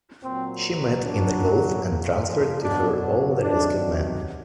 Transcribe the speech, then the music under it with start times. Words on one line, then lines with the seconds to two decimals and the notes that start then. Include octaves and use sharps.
She met in the Gulf and transferred to her all the rescued men.
0.24 A#2 F#3 C4
1.03 A#2 F#3 D4
1.82 A#2 F3
2.62 B2 F#3 D4
3.41 C3 D#3 F#3 D4